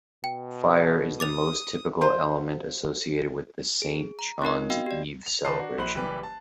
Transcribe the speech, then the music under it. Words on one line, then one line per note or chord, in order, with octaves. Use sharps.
Fire is the most typical element associated with the Saint John's Eve celebration.
B2 G5
D6 D#6 A6 F7
F4 C5
G#4
A#5
C4 D#4 A#4 D#5
B3 F#4 D#5 F5 G5
G4 D5
F7
D#3 B4 C5 A5 C7
D4 F#4
A#1 C5 B5 F#6 F#7
F#1 E3 G3 G4 B4
A5